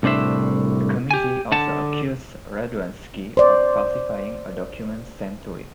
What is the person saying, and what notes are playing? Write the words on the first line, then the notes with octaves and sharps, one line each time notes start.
The committee also accused Radwanski of falsifying a document sent to it.
C2 A2 D4 C5 E5
G4 G#5
D3 F#5 A5
C5 D5